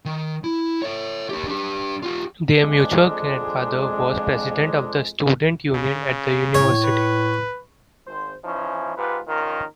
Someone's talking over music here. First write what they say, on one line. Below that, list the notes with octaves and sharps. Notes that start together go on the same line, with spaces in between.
Their mutual grandfather was president of the students union at the University.
D#3
E4
C#5 E5
D#4 G4
D4 G4
F4 G4
F2 G#3 D4
C#3
A2 C#5
B4
G#1 C5
E3 F3 C#4 D#4 E4
G#2 F4 G4 B4
A#1 D#3 C#4 F4 A#4